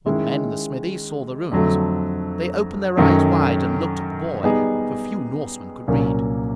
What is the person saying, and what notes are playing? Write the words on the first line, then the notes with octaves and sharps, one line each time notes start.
When the men in the smithy saw the runes they opened their eyes wide and looked at the boy, for few Norsemen could read.
D#3 G#3 C#4 E4
F2 D3 F#3 A3
F#2 D#3 F#3 A3 C#4
G3 B3 D#4 G#4
C2 A#2 F#3 A#3 C#4